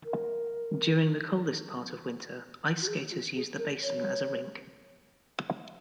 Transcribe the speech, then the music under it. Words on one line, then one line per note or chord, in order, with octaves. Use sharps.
During the coldest part of winter, ice skaters use the basin as a rink.
A#4
F#4
G#4
F4
G#4
A#4
C#5